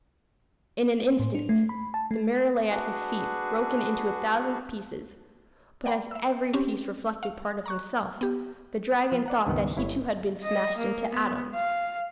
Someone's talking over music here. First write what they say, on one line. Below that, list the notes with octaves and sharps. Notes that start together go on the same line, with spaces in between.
In an instant the mirror lay at his feet broken into a thousand pieces, but as every piece reflected part of himself, the dragon thought that he too had been smashed into atoms.
A2
D4
A3
B5
A5
A3
D4 F#4 G#4 B4
D5 F#5 G5 A#5 B5
E5 E6
C4 C#4 G4
F5
A#5 C#6 F#6
B3 G4
F3 C5
D5 F#5 A#5
C#2 G2 D#3 B3 F#5 G5
G1 E4 C#5
D#5
A#3
B3
F5